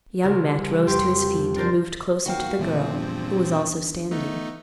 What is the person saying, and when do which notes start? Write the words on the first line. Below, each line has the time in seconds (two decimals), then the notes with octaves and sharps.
Young Matt rose to his feet and moved closer to the girl, who was also standing.
0.23 C2 C#3 A#4
0.87 F2 G4 C6
1.56 D4 A#4 C5 D5
2.26 D#2 F#4 F5 G5
2.59 D#2 A#2 E3 F3 A3 C4
2.91 E2 G2
4.11 A3 B3 D#4